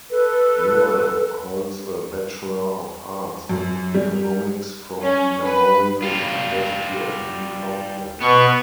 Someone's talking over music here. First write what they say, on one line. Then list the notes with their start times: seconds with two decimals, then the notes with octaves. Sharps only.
Noel holds a Bachelor of Arts in Economics from Memorial University of Newfoundland.
0.10 A4 B4
3.49 F#2
3.94 G3
5.01 C#4
5.43 B4
6.02 G3 F4
8.21 B2 B3 C#6